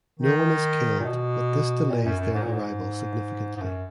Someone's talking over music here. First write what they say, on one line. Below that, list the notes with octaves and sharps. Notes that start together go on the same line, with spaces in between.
No one is killed but this delays their arrival significantly.
D#3
A#2
B2
A#2
F#2
F#2
G#2
A#2
G#2
G#2
F#2